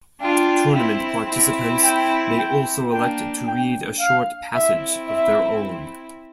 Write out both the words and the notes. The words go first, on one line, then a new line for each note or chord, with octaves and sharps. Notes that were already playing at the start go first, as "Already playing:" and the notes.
Tournament participants may also elect to read a short passage of their own.
D4 F4 G5
C4 E4
C4 E4
G5
G5
A#3 D4 G5
G5
F5
C4 E4 E5
E5